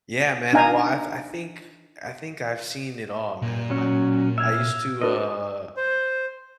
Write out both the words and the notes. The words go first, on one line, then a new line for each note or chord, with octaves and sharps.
Yeah, man, and well, I I think I think I've seen it all, man, like, I used to, uh
D4 D#4 F5 G#5 A#5
A#2
F#3 C#4
E5 F5 E6 G#6
D4 F#4 B4 D#5
C5